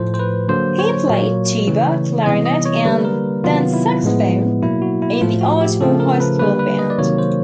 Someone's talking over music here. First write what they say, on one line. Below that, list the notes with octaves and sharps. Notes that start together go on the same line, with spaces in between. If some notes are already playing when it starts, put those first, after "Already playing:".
He played tuba, clarinet, and then saxophone in the Ardmore High School band.
Already playing: A2 F3 A3 C5
C5
B4
D3 F#3 A#3 C5
C#5
A#2 F#3 A#3
C#3 E3 A3
C3 E3 G3 B3 D#5
D#5
C#5
D3 G3 A#3 B4
A#4
C3 D#3 F#3 B3 F4
E4
A2 F3 G#3 B3
B2 F#3 A#3 E4
F#4
E4
A2 F3 A3 F4
F#4
G4
C#3 F3 A3 A4
A#4
B4
D3 G3 A#3 B4
B4
D#5
D5
C3 D#3 F#3 A#3 C#5
C5